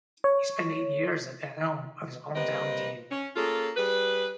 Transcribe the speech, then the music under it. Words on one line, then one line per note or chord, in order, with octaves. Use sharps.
He spent eight years at the helm of his hometown team.
C#5
G3 A#3 C4 B4 D#5
C#4
A#3 C#4 F4 G#4 A4
G3 G#4 B4